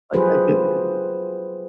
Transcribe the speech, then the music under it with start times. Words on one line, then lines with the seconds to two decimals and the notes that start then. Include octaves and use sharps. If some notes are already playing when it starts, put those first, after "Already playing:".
like, I can
0.14 F#3 F4 G4 G#4 B4 C5